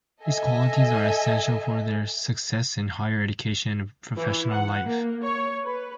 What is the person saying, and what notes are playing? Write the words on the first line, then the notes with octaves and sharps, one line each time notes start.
These qualities are essential for their success in higher education and professional life.
A4 D#5 E5 G#5
E3
F#5
A#3
C#5
B4